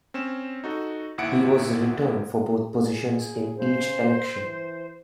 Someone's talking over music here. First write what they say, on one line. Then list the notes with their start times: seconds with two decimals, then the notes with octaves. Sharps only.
He was returned for both positions in each election.
0.14 C4 C#4 E7
0.64 D#4 F#4 A4
1.18 G1 D#2 E4 F#5 C#7 D7
2.69 G#4
3.57 C#3 C5
4.40 E3